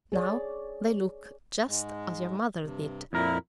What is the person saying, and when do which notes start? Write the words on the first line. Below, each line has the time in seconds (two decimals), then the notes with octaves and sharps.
Now they look just as your mother did.
0.12 G#4 C#5 D5
1.67 G#2 G#3
2.63 G2 C3
3.13 F2 A#2 E4 A#4